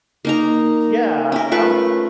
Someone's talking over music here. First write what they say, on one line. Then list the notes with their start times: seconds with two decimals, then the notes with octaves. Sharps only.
yeah, I'm
0.25 A#3 D#4 A#5
1.32 C#4 A#4
1.52 A3 F4 B4 C#6